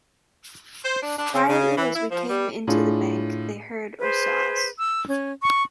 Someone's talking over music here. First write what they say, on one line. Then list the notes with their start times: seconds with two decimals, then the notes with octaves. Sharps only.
Quietly as we came into the bank, they heard or saw us.
0.85 C5
1.02 D4
1.18 D4
1.34 C#3
1.48 C#3
1.77 E3
1.95 E4
2.11 F3
2.29 G3
2.67 A2 D4 F4 G#4
3.99 G#4 B4 C5
4.80 E6
5.06 C#4
5.43 C#6